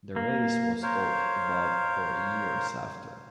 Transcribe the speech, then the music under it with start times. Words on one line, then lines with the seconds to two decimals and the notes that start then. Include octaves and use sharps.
The race was talked about for years after.
0.16 A#3
0.83 A#4 C5 C#5 F5